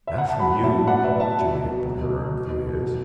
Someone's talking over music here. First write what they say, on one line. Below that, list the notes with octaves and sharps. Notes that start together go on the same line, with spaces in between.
"Not from you." Juliet put her arm through his.
E5
F#5
A5
F#3 F#5 B5
A2
E5 A5
A2
F#3 D5 F#5
B2 B4 E5
B2 E5 A5
F#3
B2
B2
F#3
B2
B2
F#3
B2
B2
F#3